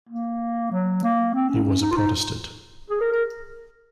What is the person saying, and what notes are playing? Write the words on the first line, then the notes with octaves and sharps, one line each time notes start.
He was a Protestant.
A#3
F#3
A#3
C4
C#4
C#4
D#4
F4
D#4
G#4
A#4
A#4